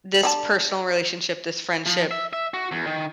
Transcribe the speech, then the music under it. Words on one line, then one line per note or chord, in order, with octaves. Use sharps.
this personal relationship, this friendship,
D3 G4 A5
F3
E5
E5
F#4
E2
D#3